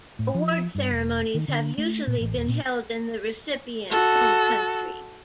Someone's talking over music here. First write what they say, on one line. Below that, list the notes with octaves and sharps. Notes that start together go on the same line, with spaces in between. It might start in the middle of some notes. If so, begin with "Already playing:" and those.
Award ceremonies have usually been held in the recipient's home country.
A2
F3
G2
E1
D#3
D3
A3
A#2
A1
D#1
A#2
F#4 A4